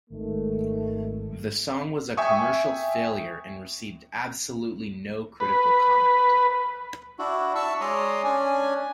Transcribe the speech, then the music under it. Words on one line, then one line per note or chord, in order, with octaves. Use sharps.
The song was a commercial failure and received absolutely no critical comment.
G#1 D#3 A3
E5 G5 G#5 C#6 D#6
B4
D4 E4 F#4
E5 A5 C#6 E6
G#3 C#5 D5 A#5 C6 D#6
C#4 D4 G#5